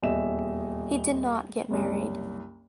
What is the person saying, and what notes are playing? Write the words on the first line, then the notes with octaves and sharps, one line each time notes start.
He did not get married.
D#1 E2 D#5 E5 E7
F#1 C2